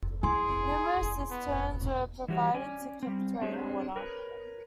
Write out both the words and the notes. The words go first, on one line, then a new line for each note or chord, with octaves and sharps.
Numerous cisterns were provided to collect rain water.
E4 G#4 G#5 C6
B3
E3 G3 F#4 G4 C#5
C#4 D5 G#5
G3 C4
C4 D4 G4 G#4 C#5
A#4 B4 C#5